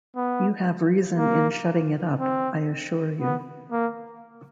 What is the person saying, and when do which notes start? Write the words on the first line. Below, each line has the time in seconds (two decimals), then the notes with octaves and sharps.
You have reason in shutting it up, I assure you.
0.16 B3
1.18 A#3
2.19 C4
3.21 B3
3.72 A#3